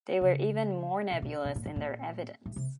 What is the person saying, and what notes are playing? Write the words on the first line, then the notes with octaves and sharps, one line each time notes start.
They were even more nebulous in their evidence.
C#3
B2
B2
B2
A#2
A2
A#2
A2
C3